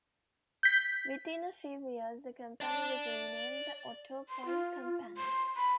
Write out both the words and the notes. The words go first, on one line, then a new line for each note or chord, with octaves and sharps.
Within a few years the company was renamed, the Autopoint Company.
G6 B6
D5 A5
C6
F4
C6
B5